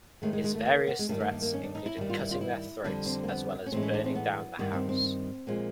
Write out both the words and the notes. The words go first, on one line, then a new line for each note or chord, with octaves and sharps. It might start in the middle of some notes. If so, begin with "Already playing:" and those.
His various threats included cutting their throats as well as burning down the house.
D#2 D#3 G#3 A3
G#3
G#3
A3
A#3
B3
G#3
G2 D#3 G3 A3
A3
A#3
A#3
C#4
D4
D#4
E4
G2 D#3 G3
F4
E4
F4
E4
F2 D3 G3 D4
C4
A#3
B3
C#4
A2 E3 G#3 C4
C#4
D4
C4
B3
G2 D#3 G3 B3
C4
C4
A#2 F3 G#3